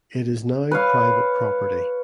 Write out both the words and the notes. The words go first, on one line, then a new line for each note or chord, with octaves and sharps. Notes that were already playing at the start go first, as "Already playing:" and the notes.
It is now private property.
B4 C#5 F5